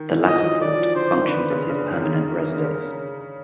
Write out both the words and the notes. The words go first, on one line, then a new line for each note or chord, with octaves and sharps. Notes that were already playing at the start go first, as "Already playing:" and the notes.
The latter fort functioned as his permanent residence.
Already playing: D#3
E3
F3 D#5
F#3
F#3 D5
F3
D3 C5
D#3
D3 B4
C#3
C#3
D3
D#3
D3 A#4
D3
C#3